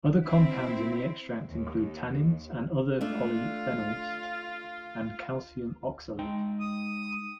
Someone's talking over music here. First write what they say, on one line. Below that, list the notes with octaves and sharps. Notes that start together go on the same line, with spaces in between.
Other compounds in the extract include tannins and other polyphenols, and calcium oxalate.
C4 E4
D#2
A3 D4 F4
G#3 D#4 G5
D#6